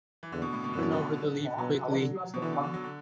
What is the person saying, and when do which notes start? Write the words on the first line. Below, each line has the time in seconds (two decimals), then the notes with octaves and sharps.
Turn over the leaf quickly.
0.23 E3
0.32 E2 D3
0.42 B2
0.53 A2
0.64 B2
0.73 F#2 D3
0.83 B2
0.92 D3
1.58 B2 F#3
1.99 D3
2.34 B2
2.41 D3 E3
2.53 B2
2.63 D3
2.74 F#3
2.84 D3